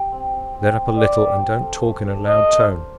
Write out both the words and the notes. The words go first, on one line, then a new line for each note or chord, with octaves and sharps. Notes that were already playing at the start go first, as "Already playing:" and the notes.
Let up a little, and don't talk in a loud tone.
Already playing: G4
C4
C4
C4
C4
C5 D5
G4
F5
A4
A3
D4
D#5 F5
A#3
C5